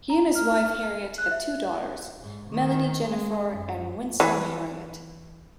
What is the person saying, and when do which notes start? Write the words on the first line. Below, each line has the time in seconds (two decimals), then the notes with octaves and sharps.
He and his wife Harriet have two daughters, Melanie Jennifer and Wynsome Harriet.
0.10 A#5
0.35 F6
1.18 F#6
1.31 E5
2.20 G#2
2.50 D#3
3.06 G#3
3.54 F#2
4.20 E3